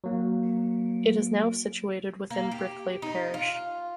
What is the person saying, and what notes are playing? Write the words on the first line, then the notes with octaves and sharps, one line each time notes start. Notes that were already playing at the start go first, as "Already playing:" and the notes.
It is now situated within Bickleigh parish.
F#3 A#3
A#3
G4
D#4
F4